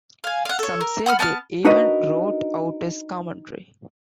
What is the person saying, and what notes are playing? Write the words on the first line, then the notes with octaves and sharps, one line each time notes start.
Some say they even wrote out his commentary.
F5 G#5
F5 F#5
A4 C#5
A#4
F#5 B5 D#6 F6
B3 A5 C#6 F6
D4 D#4 F#4 A#4 B4 D#5